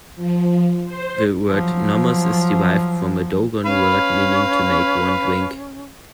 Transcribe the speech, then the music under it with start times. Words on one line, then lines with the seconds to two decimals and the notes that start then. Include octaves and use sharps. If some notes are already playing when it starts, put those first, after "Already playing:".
The word Nommos is derived from a Dogon word meaning to make one drink.
0.16 F3
0.86 C5
1.48 F3 F#3
3.66 C#4 B4 F5 B5